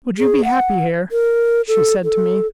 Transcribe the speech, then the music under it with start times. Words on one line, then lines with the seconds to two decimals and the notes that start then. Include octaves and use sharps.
"Would you be happy here?" she said to me.
0.18 G#4
0.44 F#5
1.12 A#4
1.68 A4
2.04 A4